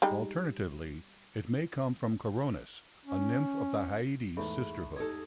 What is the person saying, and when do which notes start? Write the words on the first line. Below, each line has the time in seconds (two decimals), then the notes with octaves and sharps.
Alternatively, it may come from Coronis, a nymph of the Hyades sisterhood.
0.02 G3 G#3 D#4
3.05 C#4
4.37 E2 G#2 A3 E5 B5
4.96 D#4 G4 A4 D#5 G#6